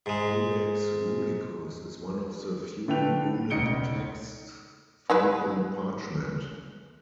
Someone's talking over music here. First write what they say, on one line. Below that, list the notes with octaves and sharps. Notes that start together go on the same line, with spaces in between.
Codex Runicus is one of the few runic texts found on parchment.
G#2 G#3
D3 A3 B4 G5 F7
E1 C#2 D#4 C#7 D7 G7
D#4 E4 B4